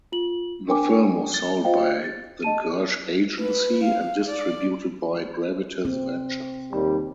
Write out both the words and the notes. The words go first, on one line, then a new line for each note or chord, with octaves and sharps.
The film was sold by The Gersh Agency and distributed by Gravitas Ventures.
F4 F#7
D4 A#4 G5 G#5 D6
A6 G7
F4 C5 D#5 F5 G5
A6
D#5 A5 D#7
B4
F5
D5
C4
D#2 G3